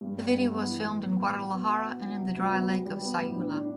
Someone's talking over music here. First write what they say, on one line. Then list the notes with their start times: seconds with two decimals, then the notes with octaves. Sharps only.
The video was filmed in Guadalajara and in the dry lake of Sayula.
0.01 G2
0.18 G3
0.34 G2
0.51 B3
0.67 E3
0.85 A2
1.01 B3
1.17 A2
1.35 F#4
1.51 B3
1.68 F#4
1.85 B3
2.01 F#3
2.18 C3
2.35 D2
2.51 B3
2.68 G3
2.86 G3
3.01 B3
3.19 A2
3.35 D4
3.51 D4